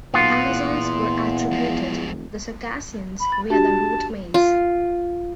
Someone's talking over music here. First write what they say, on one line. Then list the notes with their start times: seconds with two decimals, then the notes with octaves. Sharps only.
The Amazons were attributed to the Circassians via the root "maze".
0.14 B1 A#2 B3 F4
0.47 E2
1.51 F3 G#3
2.06 F1
3.20 B5
3.32 A6
3.50 D4 F#4 G4 A5
4.34 F4